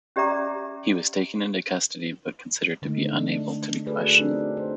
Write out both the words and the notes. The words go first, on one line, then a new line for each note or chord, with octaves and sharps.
He was taken into custody, but considered to be unable to be questioned.
C#4 G4 D5 E5 A#5 D6
D3 G#3 A3 D#4
D4
A3 F#4 G#4 A4 B4 D5
A3 C4 D4 D#4 F4 A#4
C5